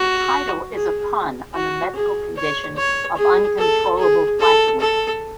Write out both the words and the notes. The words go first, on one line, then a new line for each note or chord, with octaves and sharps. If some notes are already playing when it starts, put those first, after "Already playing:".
The title is a pun on the medical condition of uncontrollable flatulence.
Already playing: F#4
G#4
F#4
G#4
C#5
C#5
G#4
A4
G#4
A4
A4